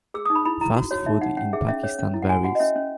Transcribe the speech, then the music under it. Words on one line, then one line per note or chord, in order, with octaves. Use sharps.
Fast food In Pakistan varies.
G#4 E6
D#4 D#6
B5
E4 B5
E4 A#5
F#4
F#4 C#5
D#4 E5
D#4 F#5
C#4 F#5
G#4 E5
C#4 E5
C#5
C#4
E4
F#5
F#4 G#5
F#4 F#5
D#5
C#4 E5
C#4